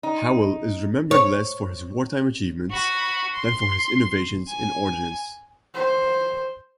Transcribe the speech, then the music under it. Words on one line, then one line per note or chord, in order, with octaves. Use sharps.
Howell is remembered less for his wartime achievements than for his innovations in ordnance.
D#4
C#5
F#4 B5
C6
G#5
C5